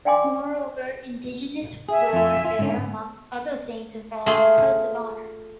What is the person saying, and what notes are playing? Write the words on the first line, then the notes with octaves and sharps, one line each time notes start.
Moreover, indigenous warfare, among other things, involves codes of honor.
D5 F5 G5 G#5 C6 D6
G#4 E5 G#5
F2 F4
F4
G#2 D3 C#4
A3 F4 G#4